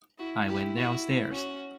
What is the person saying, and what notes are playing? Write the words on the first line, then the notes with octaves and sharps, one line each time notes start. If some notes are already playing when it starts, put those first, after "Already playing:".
I went downstairs.
E4 F#4
E4 G4
F#4
C#4 F#4